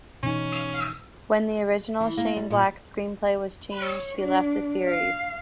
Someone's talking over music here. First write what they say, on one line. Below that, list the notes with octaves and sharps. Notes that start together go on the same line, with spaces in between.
When the original Shane Black screenplay was changed, he left the series.
B2 E3 C#4 D#4
E3
A#3
G3
A#2
C#5
D4
F5